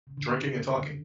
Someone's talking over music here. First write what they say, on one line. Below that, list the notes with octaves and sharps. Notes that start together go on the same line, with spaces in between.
Drinking and talking.
C#3
D3
C#3
C#3
D3
D#3